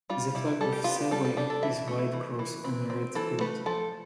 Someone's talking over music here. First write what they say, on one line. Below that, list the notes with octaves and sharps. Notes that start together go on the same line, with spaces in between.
The flag of Savoy is white cross on a red field.
G3 F4
G3 E4
G3 A4
G4
B3 F4
G4
G3 A4
A4
D4 G4
A4
E3 E5
A3
E3
E3
C4 B4
C4
E3 A4
A3 B4
F3 A4